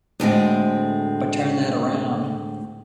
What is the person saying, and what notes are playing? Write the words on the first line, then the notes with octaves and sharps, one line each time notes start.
But turn that around.
D2 A2 G#3 C4